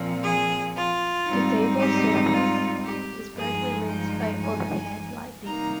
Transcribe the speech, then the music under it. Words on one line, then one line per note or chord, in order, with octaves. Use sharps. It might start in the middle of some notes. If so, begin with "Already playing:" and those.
The table surface is brightly lit by overhead lighting.
Already playing: A#2 F3 C4
G#4
F4
G#2 G3 C4 D#4
G4
F4
G4
G2 F3 G#3 D#4 G#4
G5
G#5
C3 G3 A#3 D#4 A#5